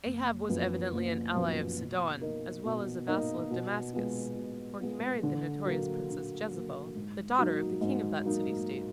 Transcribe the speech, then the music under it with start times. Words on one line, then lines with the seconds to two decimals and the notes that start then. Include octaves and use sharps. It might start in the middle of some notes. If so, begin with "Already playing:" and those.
Ahab was evidently an ally of Sidon as well as a vassal of Damascus, for he married the notorious princess Jezebel, the daughter of the king of that city State.
0.06 F#1
0.49 F#2 F3 B3
0.92 F#1
1.34 F#2 F3 B3
1.78 B2
2.21 A#3 D#4 A#4 D#5
2.64 B2
3.07 A#3 D#4 A#4 D#5
3.51 B2
3.93 G#3 B3 F4
4.36 B2
4.80 G#3 B3 F4
5.23 D3
5.65 F#3 A#3
6.10 D3
6.52 F#3 A#3
6.95 G#2
7.38 F#3 A#3 D#4
7.81 G#2
8.25 F#3 A#3 D#4